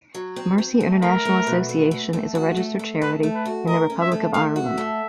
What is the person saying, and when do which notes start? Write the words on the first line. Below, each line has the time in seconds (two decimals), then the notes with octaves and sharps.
Mercy International Association is a registered charity in the Republic of Ireland.
0.15 F#3
0.36 C4
0.58 C4
0.80 A3
1.02 A3 A#4
1.25 A3
1.47 B2
1.69 A3
1.91 A3
2.13 A3
2.35 F#4
2.57 A3
2.79 A3
3.02 A3 B4
3.23 A3
3.35 B4
3.45 F#4
3.67 A#4 D#5
3.90 C#4
4.00 E5
4.12 A3
4.33 A3 F5
4.56 F#4
4.66 E5
4.78 A3